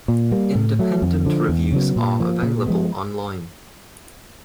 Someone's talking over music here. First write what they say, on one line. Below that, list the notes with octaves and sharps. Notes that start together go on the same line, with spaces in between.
Independent reviews are available online.
A#2
G3 A#3
A2
F#3 A3
F2
D3 F3
E2
C#3 F#3 B3
A#2
F3 A#3
A#2
F3 G#3 B3